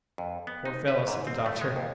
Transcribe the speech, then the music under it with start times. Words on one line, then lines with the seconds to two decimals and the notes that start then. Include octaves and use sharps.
"Poor fellow!" said the doctor.
0.18 F2
0.47 B3
0.65 D#4
0.88 B4
1.07 G#2
1.27 C4
1.46 A3
1.61 G#3
1.76 D#2